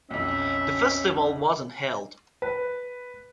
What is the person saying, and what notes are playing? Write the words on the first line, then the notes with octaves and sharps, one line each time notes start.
The festival wasn't held.
B1 F2 C#4 E5
B4